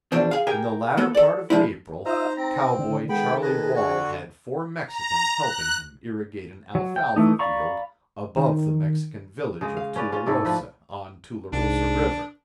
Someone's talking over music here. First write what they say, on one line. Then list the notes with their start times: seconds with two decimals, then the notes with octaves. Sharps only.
In the latter part of April, Cowboy Charlie Wall had four Mexicans helping him irrigate an alfalfa field, above the Mexican village of Tularosa, on Tularosa river.
0.12 E2 B2 F3 D4
0.31 G#4 F5
0.47 G4 G#4 A#4 G5 G#5
0.97 A#3 B3 A4
1.15 A4 D5
1.50 F3 G#3 D4 E4
2.06 D#4 F4 C5 D#5 E5 A#5
2.37 C4 A#5
2.79 D3
3.09 D#3 G#3 B3 A4 G5 B5
3.42 G#4 B4 D#5
3.76 D3 F#4
4.87 A#5
5.38 F#6
6.75 F#3
6.96 G5
7.16 E3 A3 D#4
7.39 D5 F5 A#5 B5 C#6
8.37 D#3
9.61 C#3 G#3
9.77 F5
9.96 C#4 B4 D5
10.12 C#4 F4
10.26 G#2 A3 E4 D5
10.45 F3 B4
11.53 C2 G#2 D4